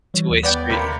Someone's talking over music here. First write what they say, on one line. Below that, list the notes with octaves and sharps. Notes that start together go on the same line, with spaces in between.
two way street.
E3 G3 C#5
D#2
B3 D5 G5
C3 A#3 B5